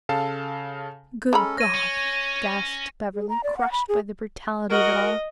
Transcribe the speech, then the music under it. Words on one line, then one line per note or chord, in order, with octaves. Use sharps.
"Good God!" gasped Beverly, crushed by the brutality of it all.
C#3 A4 F5 A5
G#3 C#4 A4 A#5 B5
C#5 A#6 D#7
C#4
G#4
A#5
D5
F#5
B5
G#4
F#4 A#4 D#5